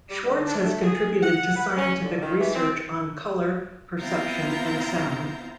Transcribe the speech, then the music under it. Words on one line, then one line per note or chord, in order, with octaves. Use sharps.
Schwartz has contributed to scientific research on color perception and sound.
G3
D3
D4
A3
G#4
F#5
B4
C#4
D3
D#3
E3
C4
B3 C4 E4 F4 A#5 G6